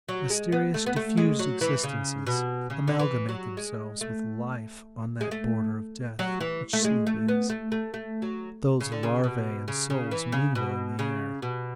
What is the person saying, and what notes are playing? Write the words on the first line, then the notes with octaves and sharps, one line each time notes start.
Mysterious, diffused existences amalgamate themselves with life on that border of death, which sleep is. Those larvae and souls mingle in the air.
F#3
G#3
B3
A3
B3
A3
G#3
F#3
E3
C#3
B2
C#3
D3
E3
F#3
G#3
A3
G#3
A3
F#3
E3
A3
G#3
A3
B3
A3
A3
A3
F#3
C#3
D3
C#3
B2
C#3
C#3
E3
C#3
B2
C#3
B2